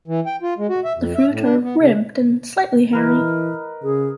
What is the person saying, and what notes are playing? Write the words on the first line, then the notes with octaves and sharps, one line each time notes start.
The fruit are ribbed and slightly hairy.
E3
G5
F4
G#3
F#4
E5
F2
E5
A2
D4
B3
C#3
E3 A#4 B4 D#5
C#3 G#4